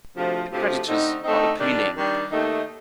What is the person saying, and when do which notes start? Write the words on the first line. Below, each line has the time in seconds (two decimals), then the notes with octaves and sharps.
The creditors are appealing.
0.15 D2 C3 F3
0.51 D2 C3 F3
0.87 D3 A3 C4 D#4
1.24 D3 A3 C4 D#4
1.59 D#3 G3 D4
1.95 D#3 G3 D4
2.31 D#2 D#3 A3 D#4